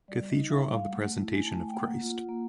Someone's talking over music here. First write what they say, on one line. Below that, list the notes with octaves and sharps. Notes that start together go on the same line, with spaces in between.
Cathedral of the presentation of Christ.
G3 D5
D#5
D#4
E5
G3
F5
A3 F#5
E4
G#5
A3 A5
G#5
G5
A#3 F#5
F4
A#3